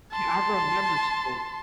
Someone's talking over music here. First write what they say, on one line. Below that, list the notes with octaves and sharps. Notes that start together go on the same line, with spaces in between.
Yeah, I remember so
A5 C6